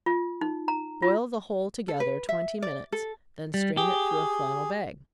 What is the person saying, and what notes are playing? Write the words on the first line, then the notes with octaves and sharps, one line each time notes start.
Boil the whole together twenty minutes, then strain it through a flannel bag.
F4
D#4
A#5
F4
A4
B4
E5
D5
A4
G3
G4 G#4